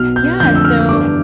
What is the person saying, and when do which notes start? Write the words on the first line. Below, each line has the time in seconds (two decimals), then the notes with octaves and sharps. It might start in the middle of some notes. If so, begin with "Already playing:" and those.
Yeah, so
Already playing: B1 B2 B3 F6
0.16 G6
0.40 F2 D3 A3 D4 G6
0.55 E6
0.65 F6
0.89 G2 E3 B3 D4 D6